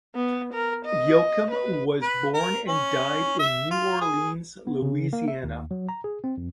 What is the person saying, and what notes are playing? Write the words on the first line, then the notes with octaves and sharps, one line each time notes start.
Yochim was born and died in New Orleans, Louisiana.
B3
A#4
D#5
B4
B4
A#4
C#4
E5
F4
G#4
B3
C#3
A#3
E5
D#2
F#3
A#5
G#4
C4
F2